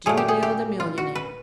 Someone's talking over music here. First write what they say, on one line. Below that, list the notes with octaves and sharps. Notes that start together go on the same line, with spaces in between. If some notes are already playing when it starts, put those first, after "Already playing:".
Jimmie Dale the millionaire!
A#2 F#3 A3 G#4
G4
G#4
G4
F4
F#4
B4